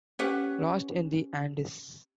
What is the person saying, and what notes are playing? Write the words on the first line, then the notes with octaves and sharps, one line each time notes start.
Lost in the Andes!
C#4 G4 B4 F#5